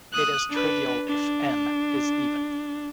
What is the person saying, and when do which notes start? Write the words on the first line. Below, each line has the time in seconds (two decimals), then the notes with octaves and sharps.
It is trivial if "n" is even.
0.13 D#6 F#6
0.50 D4 B4
1.08 D4